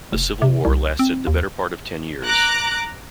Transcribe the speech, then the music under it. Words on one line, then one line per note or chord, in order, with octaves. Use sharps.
The civil war lasted the better part of ten years.
F1
C3
C2
C4
D#2
A#5 D6 F#6